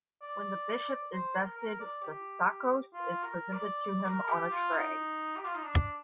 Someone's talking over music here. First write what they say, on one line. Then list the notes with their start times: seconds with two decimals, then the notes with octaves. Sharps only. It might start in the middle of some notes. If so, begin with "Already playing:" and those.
When the bishop is vested, the "sakkos" is presented to him on a tray.
0.22 D5
1.12 C5
1.35 A#4
1.57 A#4
1.80 D5
2.02 G4
2.93 F4
3.23 A#4
3.53 D5
3.83 D5
4.06 A#4
4.28 G4
4.51 F4
4.73 D#4
5.36 G4
5.44 F4
5.54 D#4
5.63 D4